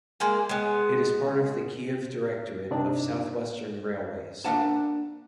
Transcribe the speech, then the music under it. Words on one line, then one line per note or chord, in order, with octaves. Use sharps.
It is part of the Kyiv Directorate of Southwestern Railways.
G#3 A#3 G#4
G#3 B3
G2 C3 C4 D4 D#4 D5
A#3 D4 F#5 A5